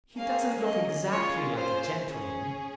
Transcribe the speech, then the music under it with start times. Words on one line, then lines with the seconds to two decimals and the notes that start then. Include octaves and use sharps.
"He doesn't look exactly like a gentleman."
0.16 A#3 C#4 G#4 F5
0.63 D#5
1.10 A#3 C#4 F4 G#4 C#5
1.57 C5
2.05 C#4 G#4